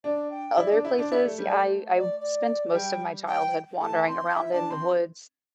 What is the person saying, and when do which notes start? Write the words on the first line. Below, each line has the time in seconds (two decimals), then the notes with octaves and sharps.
other places? Yeah, I I spent most of my childhood wandering around in the woods.
0.04 D4 D5
0.31 G5
0.58 E4 D5
0.71 D4
0.85 E4 C5
0.99 D4
1.12 E4 D5
1.25 A3
1.38 G3
1.48 A3 D5
1.65 C5
1.93 E5
1.97 D5
2.19 D5
2.74 G3 G5
3.27 G5
3.81 A3 A5
4.07 C4 C6
4.35 E4 E5
4.53 D4 A5
4.70 C4 C6